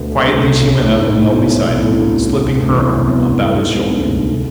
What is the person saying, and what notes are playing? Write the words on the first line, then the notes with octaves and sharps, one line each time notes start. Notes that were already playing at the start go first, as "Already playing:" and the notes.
Quietly she went up and knelt beside him, slipping her arm about his shoulder.
Already playing: D2 B2 D3 B3
C2 C3
D2 D3
C2 C3
B1 B2
B1 B2
B1 B2
A2
G#2
A2
B1 B2
B1 B2
A2
C2 C3
D2 D3
D3
C2 C3
D2 D3
E2 E3
C3 C4
B2 B3
B2 B3
B2 B3
B2 B3
A2 A3
B2 B3
G#2 G#3
B1 B2
C2 C3
D2 D3
D2 D3
D2 D3
C3